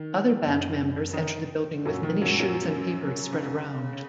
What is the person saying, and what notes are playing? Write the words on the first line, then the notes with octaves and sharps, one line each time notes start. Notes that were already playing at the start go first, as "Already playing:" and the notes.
Other band members enter the building with many shoes and papers spread around.
Already playing: D#3
F#2
D#3 D#4
F#2 A#2 F#3
D#3
F#2 F#3
F#2 F#3
C#3